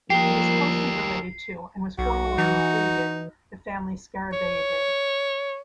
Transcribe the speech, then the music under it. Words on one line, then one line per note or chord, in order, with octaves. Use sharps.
It is closely related to, and was formerly included in, the family Scarabaeidae.
F3 G3 A#3 G4 A#4 G5 C7
B1 F#4
E3 D#4
C#5